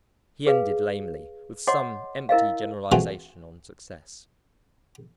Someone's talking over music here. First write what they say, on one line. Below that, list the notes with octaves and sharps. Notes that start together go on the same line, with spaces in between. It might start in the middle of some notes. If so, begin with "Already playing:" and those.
He ended lamely, with some empty generalisation on success.
G#4 B4 F5
C#5 D#5 F#5 C6 D6
E4 A#4 D#5 F5
E3 A3 C4 F4 F#4 G#4